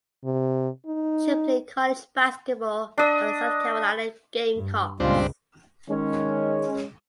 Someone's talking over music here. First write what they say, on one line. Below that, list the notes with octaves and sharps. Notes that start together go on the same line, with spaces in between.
She played college basketball for the South Carolina Gamecocks.
C3
D#4
D4 D#5
G2
C#2 A#2 G3 G#3 C4 D4 F4
D#3 G#3 C#4